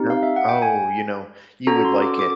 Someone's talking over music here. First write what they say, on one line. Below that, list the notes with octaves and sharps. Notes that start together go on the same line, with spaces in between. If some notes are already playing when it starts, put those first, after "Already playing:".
No? Oh, you know, you would like it.
Already playing: C4 D#4 G4
F5
E5
F#5
G5
G#5
C#4 F#4 A4 A#5
C6
D6
D6